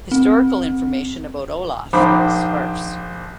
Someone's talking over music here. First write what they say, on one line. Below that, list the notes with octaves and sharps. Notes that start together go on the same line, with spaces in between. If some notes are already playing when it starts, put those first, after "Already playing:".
Historical information about Olaf is sparse.
C4
A#1 D#3 C5 B5 D6